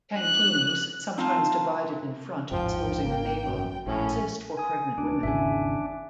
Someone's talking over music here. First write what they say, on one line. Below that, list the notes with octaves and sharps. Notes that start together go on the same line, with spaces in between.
Tankinis, sometimes divided in front exposing the navel, exist for pregnant women.
F#6
C4 D#4 F4 F5 A5
A1 E2 G#2 F3 G5
G#1 A#3
F#2
A#1 A2 C#4
G#5 D#6
D2 D4
G#1 E2 C#3 E5 G#5